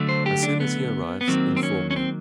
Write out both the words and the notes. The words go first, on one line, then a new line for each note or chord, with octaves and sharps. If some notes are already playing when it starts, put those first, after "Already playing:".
As soon as he arrives inform me.
Already playing: D3 F#3 A3
C5
G4
D4
B3
B3
D#3 F#3 A#3 C4
C4
C#4
C#4
C4